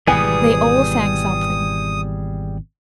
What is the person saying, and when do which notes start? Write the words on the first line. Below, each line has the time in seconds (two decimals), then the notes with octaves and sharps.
They all sang something.
0.07 G#1 B2 E3 G3 B3 G#4 G#5 D#6